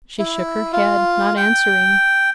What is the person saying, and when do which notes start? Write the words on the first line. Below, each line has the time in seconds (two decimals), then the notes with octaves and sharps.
She shook her head, not answering.
0.19 E4
0.73 F4
1.37 G5